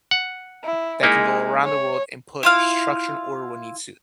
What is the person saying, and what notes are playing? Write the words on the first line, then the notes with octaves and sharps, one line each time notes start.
that can go around the world and put structure and order when it needs to.
F#5
E4
G#3 A#3 D#4 E4
C#5
E4 F4 F5